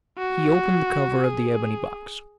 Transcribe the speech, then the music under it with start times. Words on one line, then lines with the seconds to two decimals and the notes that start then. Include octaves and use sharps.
He opened the cover of the ebony box.
0.18 F#4
1.24 G#4